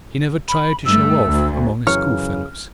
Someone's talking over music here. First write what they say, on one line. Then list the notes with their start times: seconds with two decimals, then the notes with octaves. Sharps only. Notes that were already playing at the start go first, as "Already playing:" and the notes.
He never tried to show off among his schoolfellows.
0.48 B5
0.85 G2 A3 E6
1.25 D2
1.87 F#2 C#3 E3 C#5 F6